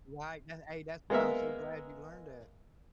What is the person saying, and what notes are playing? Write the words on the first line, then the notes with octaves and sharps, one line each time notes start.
Right, na hey, that's why I'm so glad you learned that.
G#3 A#3 B3 A#4 E5